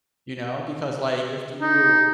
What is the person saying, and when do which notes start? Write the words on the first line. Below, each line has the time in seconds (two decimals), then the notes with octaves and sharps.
You know, because, like, if you
1.62 D#4